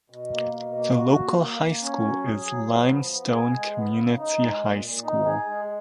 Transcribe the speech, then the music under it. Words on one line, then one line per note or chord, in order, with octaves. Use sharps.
The local High School is Limestone Community High School.
B2
A#3
B2
A#3
F#4
A#3
A#3
A#3
C#4
F#3
G#4
F#3
B3
F3
B3
G#4
G#3
B3
C#3
D#4
G#3
A#2
A#2
D#4
G#4
G#3